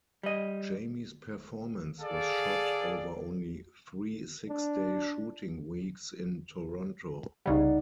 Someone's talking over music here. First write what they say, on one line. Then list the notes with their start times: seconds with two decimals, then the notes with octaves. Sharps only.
Jamie's performance was shot over only three six-day shooting weeks in Toronto.
0.23 G3 D#5
2.01 G#4 A4 D5 F5
4.50 D4
7.46 C2 C#3 G3 D#4 D5 F#5